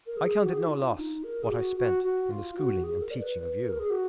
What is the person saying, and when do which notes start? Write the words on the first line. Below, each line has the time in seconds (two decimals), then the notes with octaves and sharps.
I count it no loss what I spent in the schooling and teaching of you.
0.07 A#4
0.17 G#4
0.43 F#4
0.52 G#4
0.60 F#4
0.66 D#4
0.71 F4
0.91 D4
0.97 D#4
1.23 A#4
1.43 G#4
1.50 F#4
1.77 F#4
2.03 F#4
2.30 F4
2.57 F#4
2.84 G#4
3.01 A#4
3.11 D5
3.19 B4
3.36 B4
3.63 A#4
3.80 G#4
3.90 F#4